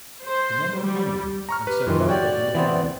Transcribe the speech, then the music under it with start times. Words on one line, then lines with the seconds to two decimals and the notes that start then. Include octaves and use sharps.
The men were hungry and set about building a fire.
0.23 C5
0.78 G3
1.49 A#5 C#6 F6
1.67 G4 B4
1.87 F#2 D#3 E3 F4
2.09 F#4 G4 C#5 D5 G5
2.55 E3 B3 C4